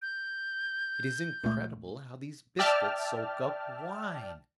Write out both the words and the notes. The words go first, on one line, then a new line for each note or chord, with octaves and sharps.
It is incredible how these biscuit soak up wine!
G6
C#2 A#2 A3
D5 E5 G5 A5 F6